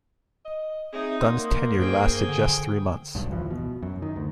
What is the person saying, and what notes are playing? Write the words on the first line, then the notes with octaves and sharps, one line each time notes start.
Dunn's tenure lasted just three months.
D#5
C4 D#4 G#4 C#5 E5
A#3 D5 F#5 C6
G2 G#4 C5 G5
D3 G#5 D#6
B1 G2
F1 D2 E3 F3
B2
F#2
D#3
D2